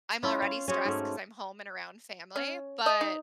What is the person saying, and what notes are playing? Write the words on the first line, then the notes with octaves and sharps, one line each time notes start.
I'm already stressed 'cause I'm home and around family, but,
C#4 E4 F4
F5
C#4 F#4 G#4 C5
G#2 A3
C#4
D#5
D#4